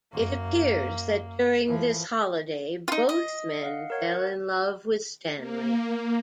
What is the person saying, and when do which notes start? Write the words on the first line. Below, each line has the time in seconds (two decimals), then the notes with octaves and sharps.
It appears that during this holiday, both men fell in love with Stanley.
0.13 F#2 A#3
1.68 E3 F3
2.88 D#4 F4
3.09 D#5
3.63 F5 F#5
3.90 A#4 C#5 F#5
5.37 A#3